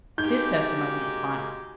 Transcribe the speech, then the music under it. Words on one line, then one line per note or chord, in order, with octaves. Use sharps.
This testimony is final.
G#3 A#3 D#4 F#4 G4 G#5 G6